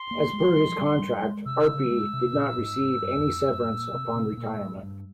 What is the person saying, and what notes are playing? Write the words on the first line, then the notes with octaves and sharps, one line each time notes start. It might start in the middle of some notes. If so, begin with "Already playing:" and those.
As per his contract, Arpey did not receive any severance upon retirement.
Already playing: C6
A#3
G#3
F3
G3
F3
G3
G3
G#3
C3 E6
C#3
G3
G#3
C3
A#2
G#2
G#2
G2
E2
F2
G2
A#2
C3
A#2
C3
C3
A#2
G#2
G#2
G2